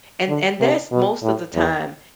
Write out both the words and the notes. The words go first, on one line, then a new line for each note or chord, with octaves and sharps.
and and that's, most of the time
D3
C3
B2
A2
E2